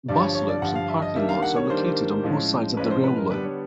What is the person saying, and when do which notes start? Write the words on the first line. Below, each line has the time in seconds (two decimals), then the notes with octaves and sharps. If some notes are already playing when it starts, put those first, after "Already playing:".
Bus loops and parking lots are located on both sides of the rail line.
0.08 G2 D3 F3 D5
0.22 C#5
0.35 C#5
0.48 D5
0.62 G2 D3 F3 F#5
0.75 F5
0.89 E5
1.02 D#5
1.16 D#3 G3 A#3 D4 E5
1.29 F5
1.43 F#5
1.56 C#5
1.69 D#3 G3 A#3 D4 C5
2.23 A2 F3 G#3 C#4
2.77 A2 F3 G#3 C#4 B4
2.91 C5
3.04 B4
3.17 A#4
3.30 D3 G3 B3 D4 B4
3.44 C#5